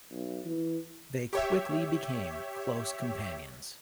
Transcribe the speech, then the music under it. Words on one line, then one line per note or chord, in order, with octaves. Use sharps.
They quickly became close companions.
B1
E3
G4 C#5 E5